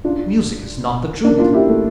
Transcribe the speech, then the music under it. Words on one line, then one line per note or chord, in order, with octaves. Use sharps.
Music is not the Truth.
D4 F4
A#3 D4
D4 F4
E4 G4
A3